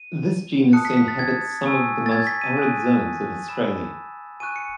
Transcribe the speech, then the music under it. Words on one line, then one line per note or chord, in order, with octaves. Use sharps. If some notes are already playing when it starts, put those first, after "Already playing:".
This genus inhabits some of the most arid zones of Australia.
Already playing: D#7
A5 D#6 F#6 C#7
B6
B6
A6
G#6
G#5 C#6 E6
A6
G#6
B6
D#7
G#5 D#6 F#6
G#5 B5 E6 E7
G#5 C#6 F#6 D#7
C#7